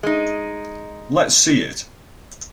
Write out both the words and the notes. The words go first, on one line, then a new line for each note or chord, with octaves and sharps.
Let's see it!
G#3 D#4